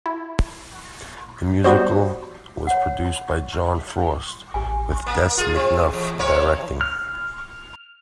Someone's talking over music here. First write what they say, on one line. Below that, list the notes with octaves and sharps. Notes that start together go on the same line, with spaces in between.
The musical was produced by John Frost with Des McAnuff directing.
E4
G3 B3 F#4 G4 C5
C#5 F#5
A1 G4 G#5
A#3
F4 G#4
C4
E2
A#3 C4 C#5
F6